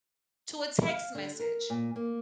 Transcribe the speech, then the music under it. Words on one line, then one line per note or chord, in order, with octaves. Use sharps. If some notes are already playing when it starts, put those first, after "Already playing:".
to a text message."
F5
D3
A#4
A#2
A#3